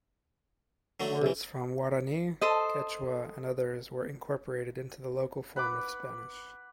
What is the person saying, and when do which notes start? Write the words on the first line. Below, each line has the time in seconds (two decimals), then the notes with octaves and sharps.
Words from Guarani, Quechua and others were incorporated into the local form of Spanish.
1.00 D3 F#3 A3
1.22 B1 C3 E3
2.41 A4 C5 D#5
5.56 B4 F#5 B5 D6